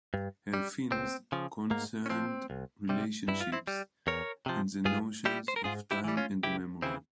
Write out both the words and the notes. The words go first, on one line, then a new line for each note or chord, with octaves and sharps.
Her films concerned relationships and the notions of time and memory.
G2
G3
C#2 C4
C#3 F3
G#2 A#3
C#4
F3 C4
C2
C3 G3
G2 E4
F4
C4 E4
G3
E2 A#4 C#5
C3 F3
G2 F4 G#4
G3 E4 G4
C5
A#4
G#2 F4 G#4
E4 G4
E3 G3
C#4 F4
C#2 E4 G4
C#3 E3 C4 E4